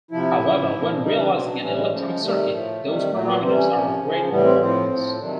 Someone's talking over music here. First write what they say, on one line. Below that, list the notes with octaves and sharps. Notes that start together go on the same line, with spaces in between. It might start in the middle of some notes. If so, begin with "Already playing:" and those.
However, when realizing an electronic circuit, those parameters are of great importance.
C3 F3 E4
C#3 F3
A#2 F3
C#3 E3 G3 D#4
D4
B2 F#3 C4
D4
A2 E3 G3 C#4
G#3
C#3 F3 A3
A3
G#3
C3 D#3 G3 A3
A2 F3 A3
C3 D#3 G3
A#2 F#3 A3
B3
C3 E3 G3 C4
C#4
C3 F3
C#3 F3
A2 E3 G3 B3
C4
A2 F3 C4
A2 F3
C3 D#3 F#3 D4